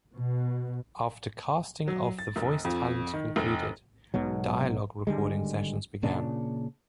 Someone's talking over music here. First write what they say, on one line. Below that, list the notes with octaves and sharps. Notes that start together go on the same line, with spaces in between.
After casting of the voice talent concluded, dialogue recording sessions began.
B2
F#3
A6
F1
F2
D#3
F1
B1 G#2 B2 F#3
G#1 D3 G3 G#3
A#2 C#3 D4